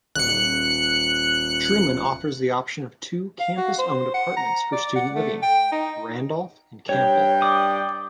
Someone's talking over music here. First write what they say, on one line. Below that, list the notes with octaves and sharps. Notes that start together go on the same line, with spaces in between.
Truman offers the option of two campus-owned apartments for student living: Randolph and Campbell.
D#1 F#6 C#7
F5
F#4
C5
F#5
A#5
D5
F#5
A3
G5
D#4
G2 C#5 G5
D5 D6 D#6